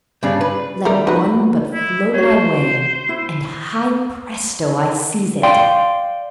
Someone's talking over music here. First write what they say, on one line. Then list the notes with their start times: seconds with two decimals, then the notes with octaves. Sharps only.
Let one but float my way, and, hi, presto, I seize it.
0.23 G2 C#3 D4
0.41 B4
0.85 G3 A3 A#4 D5
1.07 D#4 F#4 B4
1.74 E4
2.14 F#4 C5 C#5
3.09 E4
5.43 D5 F5 G5 C6